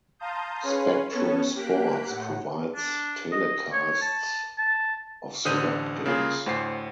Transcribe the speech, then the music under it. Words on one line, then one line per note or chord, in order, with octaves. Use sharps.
Spectrum Sports provides telecasts of select games.
F5 A5 A#5 C6 D#6 G6
C#4 G#4 B4 C#5 F5 C6
B3 C#4 A4 C#5
A#3 G4 F#6 B6 D7
A2 F#5
D4
D#5
C#5
A5
A5
A1 D3 C5 D#6 G6 D#7
C#3 A#3 F4 G#4
D2 A2 C5 F#5 C7